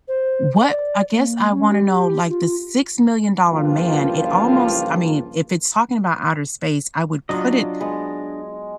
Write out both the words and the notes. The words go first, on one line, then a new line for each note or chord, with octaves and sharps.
what I guess I wanna know, like The Six Million Dollar Man, it almost I mean, if it's talking about outer space, I would put it
C5
D5
A#3
C#4
G4
F4
G2 C#3 E3 F3 A#3 F4
F#3 D4 F4 D#5
G#3 B3